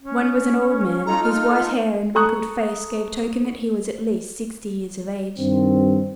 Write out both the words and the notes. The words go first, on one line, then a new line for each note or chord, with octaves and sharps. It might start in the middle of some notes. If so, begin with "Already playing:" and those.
One was an old man, whose white hair and wrinkled face gave token that he was at least sixty years of age.
C#4
D#4 F4 A4 A#5
F6
A4 A#5 C#6 D#6 F#6
G2 D#3 C4